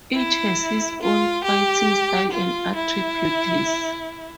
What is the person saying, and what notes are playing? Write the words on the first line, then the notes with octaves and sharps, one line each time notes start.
Each has his own fighting style and attributes.
E4
F4
G4
F4
E4